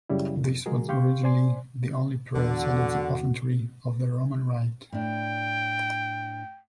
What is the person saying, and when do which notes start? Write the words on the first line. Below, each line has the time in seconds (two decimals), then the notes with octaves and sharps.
This was originally the only prayer said at the offertory of the Roman Rite.
0.09 F#2 C#3 G3 E4
0.36 F2 A#2
0.66 F3 G#3 F#4 G#4 A#4
0.89 G4 F5 C6 C#6 G6
1.23 C5 D5 G#5 C6
2.35 E2 D3 F#4
4.92 A2 D4 G5